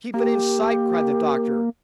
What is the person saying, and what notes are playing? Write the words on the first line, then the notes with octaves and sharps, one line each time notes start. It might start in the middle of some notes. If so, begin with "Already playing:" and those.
"Keep it in sight!" cried the doctor.
A#3 G4